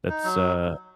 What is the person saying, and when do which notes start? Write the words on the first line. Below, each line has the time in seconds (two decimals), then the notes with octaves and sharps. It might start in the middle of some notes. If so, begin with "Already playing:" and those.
that's uh,
0.09 D#4
0.24 F#3